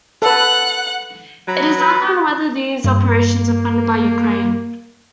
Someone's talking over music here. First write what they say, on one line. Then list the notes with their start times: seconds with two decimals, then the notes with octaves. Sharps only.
It is unknown whether these operations are funded by Ukraine.
0.22 A4 B4 F#5 F#6
1.48 F#3 A#5 B5
1.78 B4
2.01 B3
2.84 G2 A#3